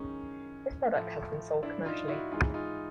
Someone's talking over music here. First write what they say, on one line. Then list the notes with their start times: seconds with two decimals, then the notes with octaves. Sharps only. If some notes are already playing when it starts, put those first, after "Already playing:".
This product has been sold commercially.
Already playing: F#2 D#3 G#3 C#4 D#4
0.95 A2 F3 A3
1.63 D4 E4
1.85 D#4 F4
2.08 E4 F#4
2.32 G#2 E3 G#3 D#4 F4
2.54 D#4 F4